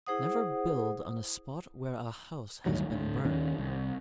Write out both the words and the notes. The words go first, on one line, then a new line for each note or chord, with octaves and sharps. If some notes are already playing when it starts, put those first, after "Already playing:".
Never build on a spot where a house has been burned.
E4 G#4 C5 F#5 D#6
D2 G2 D#3 F#3
D2 A2
D#2 D#3 C#4
C2